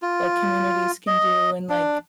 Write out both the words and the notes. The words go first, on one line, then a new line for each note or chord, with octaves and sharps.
like, communities can do and, like,
F4
D#5
D4